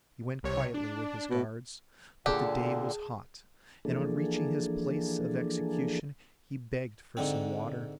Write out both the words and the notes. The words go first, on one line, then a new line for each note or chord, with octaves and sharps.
He went quietly with his guards, but the day was hot, and on reaching his place of execution he begged for some water.
C2 C3 C#5
D4
B2
A#2 D3 G4 G#4 F#5 A5
E3 F3 A#3 D4 G#4 A4
G#2 D3 C4